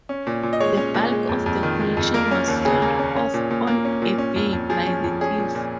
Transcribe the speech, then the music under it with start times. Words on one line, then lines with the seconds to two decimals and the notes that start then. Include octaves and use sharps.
The bulk of the collection was sold off on eBay by the thief.
0.09 C#4
0.27 A#2
0.43 A#2
0.53 D#5
0.60 G#3 C#5
0.77 C#4
0.94 A#2
1.12 G#3
1.29 F2
1.46 F2
1.63 D#3
1.80 G#3
1.97 F2
2.14 A#3 A#4
2.31 C#4
2.48 D#2
2.65 C#3 G#4
2.82 A#3
2.99 C#4
3.16 C#4
3.34 A#2
3.51 A#2
3.67 A#3
3.85 C#4
4.02 A#2
4.18 C#4
4.36 F2
4.53 F2
4.70 F3 G#4
4.87 C#4
5.04 F2
5.21 C#4 G#4
5.38 A#2
5.55 A#2